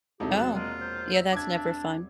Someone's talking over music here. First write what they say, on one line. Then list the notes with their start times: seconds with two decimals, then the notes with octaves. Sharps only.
Oh, yeah, that's never fun.
0.20 E1 C3 D#4 E4 G4 A4
0.37 F#3 A5 F#6
0.54 G#3 A#3 F4 A#4
0.81 C5
1.14 E5
1.33 D4 D6 G#6